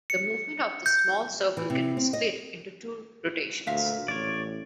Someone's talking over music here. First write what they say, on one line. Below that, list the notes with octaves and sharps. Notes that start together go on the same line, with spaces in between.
The movement of the small circle can be split into two rotations.
C#7
G6
E3
C3
C4
D#5
D2 A#2 E5 F5
A1 C#5 D5